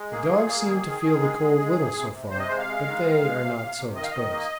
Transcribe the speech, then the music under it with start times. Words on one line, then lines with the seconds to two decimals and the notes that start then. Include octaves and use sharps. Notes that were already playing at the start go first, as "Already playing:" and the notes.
The dogs seem to feel the cold little so far, but they are not so exposed.
Already playing: G#3
0.11 A#3 G#4
0.30 A#2
0.48 A#3
0.66 D#3
0.84 D#3
1.02 D#3
1.21 G#3
1.40 G#3
1.58 G#3
1.76 C3
1.94 C3
2.12 C3
2.30 C3 C5
2.39 D#5
2.48 G#3 C5
2.58 F5
2.67 G#3
2.85 D#3
3.04 D#3
3.22 G#3
3.41 C3
3.59 C3
3.77 C3
3.96 D#3 D#5
4.04 F5
4.11 D#3 D#5
4.32 A#3